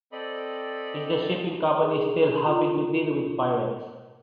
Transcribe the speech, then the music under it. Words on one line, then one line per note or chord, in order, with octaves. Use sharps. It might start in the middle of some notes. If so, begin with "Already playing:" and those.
Is the shipping company still having to deal with pirates?
C4 A4 D5 D#5 B5
G#4
F4